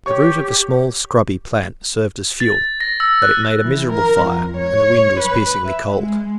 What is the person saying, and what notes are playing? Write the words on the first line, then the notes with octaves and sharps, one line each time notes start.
The root of a small scrubby plant served as fuel, but it made a miserable fire, and the wind was piercingly cold.
G4 C#5 C#6
A6
A#6
E6
F#6
E3
A#4
F2
C#5
B4
E5
G#3